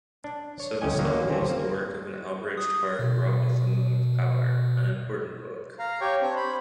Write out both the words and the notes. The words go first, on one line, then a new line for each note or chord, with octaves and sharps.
"Sevastopol" is the work of an outraged heart wrought with emotive power--an important book.
D4
C#5
D2 G3 C#4 D#5 G5 G#5
D3 D#3 F#3 A#3
C4 C#4 F4 G4 A4 C5
A#3
D#6
B2
F5 A#5
G4 C#5 G5 C#6
C4 D4 C5
C5 B5